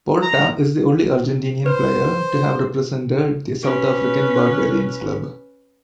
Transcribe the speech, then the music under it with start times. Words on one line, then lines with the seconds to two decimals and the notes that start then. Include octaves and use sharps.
Porta is the only Argentinian player to have represented the South African Barbarians Club.
0.23 A#5
1.66 B4 C5
3.63 C#4 B4